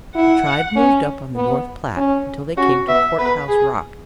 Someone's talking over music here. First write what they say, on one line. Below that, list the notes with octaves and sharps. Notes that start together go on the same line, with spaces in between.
The tribe moved up on the North Platte, until they came to Court House Rock.
E4 F#5
C#4
B3
C#4
C#4 F#4
B3 E5
B3 B4
G#4